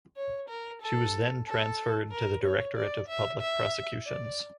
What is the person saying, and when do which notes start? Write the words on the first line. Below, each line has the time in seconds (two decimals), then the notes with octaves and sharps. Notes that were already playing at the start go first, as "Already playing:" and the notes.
She was then transferred to the Directorate of Public Prosecutions.
0.17 C#5
0.49 A#4
0.81 A4
1.46 A4
2.11 A#4
2.44 C#5
2.76 D5
3.08 E5
3.41 E5
4.06 D5